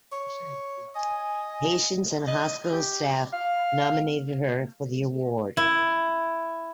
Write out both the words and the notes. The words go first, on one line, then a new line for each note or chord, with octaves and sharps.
Patients and hospital staff nominated her for the award.
C#5
D#5 G#5
D#5
G4
F5
E4